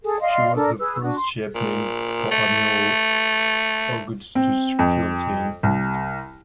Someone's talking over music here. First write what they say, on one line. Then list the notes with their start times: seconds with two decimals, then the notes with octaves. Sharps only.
She was the first ship named for Admiral Augustus Kilty.
0.03 G#4 A4
0.20 D5 D#5 F5 C6
0.55 D4 A4 A#4 D5
0.79 G#4 B4 E6
1.02 D4 F#4
1.16 C6
1.55 A#2
2.31 A3
4.35 C4
4.79 F2
5.63 C2